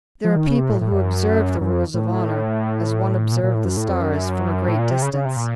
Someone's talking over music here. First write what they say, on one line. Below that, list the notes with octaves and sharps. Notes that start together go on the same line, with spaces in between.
"There are people who observe the rules of honor as one observes the stars, from a great distance."
F3
D#3
C#3
C3
A2
A2
F#2
F#2
F2
A2
A#2
A#2
A2
F#2
A2
F2
F#2
A2
A#2
C3
C#3
C#3
C3
A#2